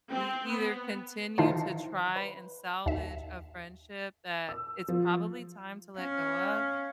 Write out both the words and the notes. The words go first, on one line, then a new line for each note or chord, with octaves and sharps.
we either continue to try and salvage a friendship that it's probably time to let go of,
C4
B3
D#3 E3 D#4 F4 A4 C5
B4
D#2 E5
E6
F3
C#4 F5